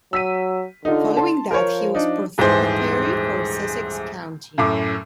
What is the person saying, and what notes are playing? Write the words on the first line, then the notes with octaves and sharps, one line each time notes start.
Following that he was Prothonotary for Sussex County.
F#3 E6 B6 D#7
D3 D#4 F4
A5 C6
F3 A#4 C5 C#5
D4 D#4
D#1 G#2 E3 G#4 C5
F#2 A2 D6